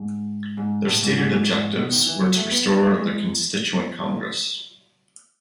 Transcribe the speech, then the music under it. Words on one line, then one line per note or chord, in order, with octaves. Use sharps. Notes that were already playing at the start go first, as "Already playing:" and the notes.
Their stated objectives were to restore the Constituent Congress.
Already playing: G#2
G#2
A2
G#2
G#2
G#2
G#2
B2
D#3
E3
F#3
A3
B3
A3
G#3